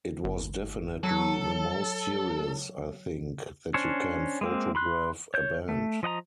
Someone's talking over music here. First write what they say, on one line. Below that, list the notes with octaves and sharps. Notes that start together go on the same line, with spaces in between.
It was definitely the most serious, I think, that you can photograph a band.
G1
F#3 A4
C#4 D4 C5 C#5
G#3 A#3 C4
B5 C6 F#6
C#5 G6
A3
F3 D#5 F#5 A#5